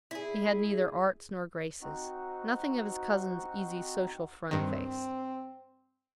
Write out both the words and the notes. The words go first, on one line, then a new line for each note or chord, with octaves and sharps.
He had neither arts nor graces; nothing of his cousin's easy social front-face.
E4 G#4
C4 D#4 F#4
G2 D#3 C4